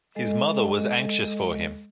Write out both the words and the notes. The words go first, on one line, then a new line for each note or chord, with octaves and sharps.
His mother was anxious for him.
G#3 A4 D#5